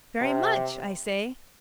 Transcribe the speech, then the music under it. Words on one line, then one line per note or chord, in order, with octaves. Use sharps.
"Very much," I say.
C3